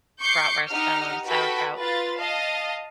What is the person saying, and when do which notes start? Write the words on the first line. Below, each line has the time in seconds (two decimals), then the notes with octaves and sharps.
bratwurst. I love sauerkraut.
0.21 C#6 D6 G6 C7 C#7
0.69 D#4 G4 F#5 F6
1.26 F#4 A4 B4 G5 B5
1.80 F4 B4 A6
2.18 D#5 F5 A5